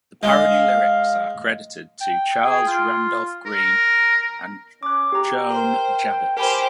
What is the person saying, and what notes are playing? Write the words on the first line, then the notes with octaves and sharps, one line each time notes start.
The parody lyrics are credited to Charles Randolph Grean and Joan Javits.
G#3 F5
G5
G#4
F4
A#4
C#4 D6 F#6
G4 G5 A#5
A#4 C5
G4 A#4 C5 G5 G#5 B5